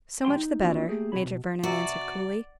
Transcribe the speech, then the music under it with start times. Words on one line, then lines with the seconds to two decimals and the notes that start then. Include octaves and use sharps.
"So much the better," Major Vernon answered, coolly.
0.25 C2 G3 G5 C6
0.36 D#4
0.62 E3 A#3 C4 D4 F4 F#4
0.89 A3 A#3 G4 G#4
1.12 B2 C4 C#5 B5
1.25 B2
1.63 C3 F#4 D5 E5 G#5